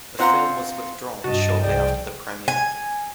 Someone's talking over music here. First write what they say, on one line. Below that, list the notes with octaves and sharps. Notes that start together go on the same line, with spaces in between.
The film was withdrawn shortly after the premiere.
C4 F4 F#5 A#5 C6
G2 C3 F#4 D#5 A5
C2 F3 G#4 D5 G5
G#5